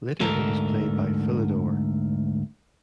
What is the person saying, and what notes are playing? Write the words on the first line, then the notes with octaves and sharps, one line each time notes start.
Later it was played by Philidor.
D2 G#2 A4 A#4